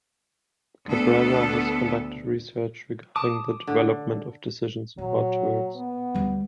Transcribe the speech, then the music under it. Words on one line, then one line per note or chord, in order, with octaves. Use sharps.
Cabrera has conducted research regarding the development of decision support tools.
D2 B3 A4
A5 D6 D#6
D3
A#2 F#3
B3
D2 G3